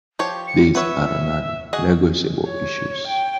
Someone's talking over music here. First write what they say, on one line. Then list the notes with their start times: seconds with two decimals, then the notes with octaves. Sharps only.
These are non-negotiable issues.
0.19 F3 G4 C#5
0.47 C#7
0.75 B3 B4 C#5 E5
1.73 F#4 G#4 D#5
2.48 C#5
3.08 G5